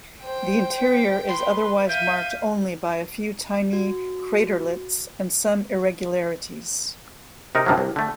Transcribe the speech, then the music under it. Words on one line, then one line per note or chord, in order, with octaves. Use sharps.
The interior is otherwise marked only by a few tiny craterlets and some irregularities.
C5 G5
B4 C6
E5 F5 G6 D#7
F#4
C3 D#4 A#4
G2 C3 D#3 F3 F#3
C2
D3 A3